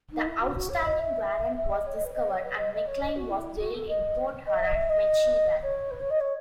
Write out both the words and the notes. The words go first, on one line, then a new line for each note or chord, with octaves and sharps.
The outstanding warrant was discovered and McLain was jailed in Port Huron, Michigan.
D#4
E4
F#4
F#4
C#5
D#5
E5
E5
D#5
C#5
D#5
B4
D#5
C#5
B4
D#5
D#5
C#5
D#5
F#4
E4
F#4
A4
D#5
D#5
E5
D#5
E5
D#5
C#5
B4
C#5
D#5
C#5